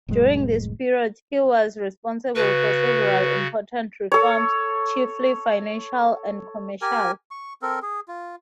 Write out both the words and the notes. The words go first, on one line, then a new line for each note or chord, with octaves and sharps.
During this period he was responsible for several important reforms, chiefly financial and commercial.
F1 A2 F#3 G#3
C#3 F#4 B4
A4 C#5
G4 A#4 G#5
C#6
C4 A4 A#4
G#4
F4